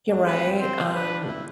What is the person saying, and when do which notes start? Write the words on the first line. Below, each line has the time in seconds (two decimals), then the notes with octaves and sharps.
You're right, um,
0.10 D4
0.26 C4 B4
0.60 C4 C5
0.82 C4
0.94 D4 B4
1.28 E4